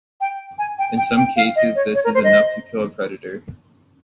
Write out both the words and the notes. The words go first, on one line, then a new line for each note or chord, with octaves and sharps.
In some cases this is enough to kill a predator.
G5
G#5
G5
G5
G5
F5
D#5
C#5
C#5
A#4
C5
D#5